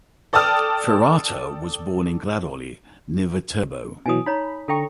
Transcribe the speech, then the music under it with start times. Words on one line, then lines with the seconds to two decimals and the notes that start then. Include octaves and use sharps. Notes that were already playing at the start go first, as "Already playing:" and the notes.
Ferrata was born in Gradoli, near Viterbo.
0.33 A4 D5 G5 A5 D#6 F6
4.06 B2 E3 F#3 G#5 D#6
4.26 D#4 C#5 A#5 B5
4.68 D3 A4 G5 A#5 C#6